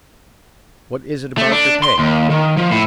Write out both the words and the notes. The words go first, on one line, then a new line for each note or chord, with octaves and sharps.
"What is it about your pay?"
A3
D4
C6
D#2
D#3
F3
A2